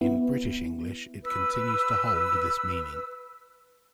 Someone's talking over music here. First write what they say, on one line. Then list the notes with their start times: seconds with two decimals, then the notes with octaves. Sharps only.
In British English it continues to hold this meaning.
0.01 B3 E4
1.24 B4 E6